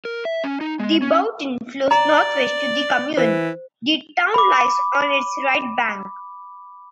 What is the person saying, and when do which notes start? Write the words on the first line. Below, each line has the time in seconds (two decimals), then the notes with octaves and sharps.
The Boutonne flows northwest through the commune; the town lies on its right bank.
0.05 A#4
0.25 E5
0.44 C#4
0.61 D#4
0.79 G#3
1.02 C#4
1.91 D5 A#5
3.17 E3 C5
4.34 B5 D6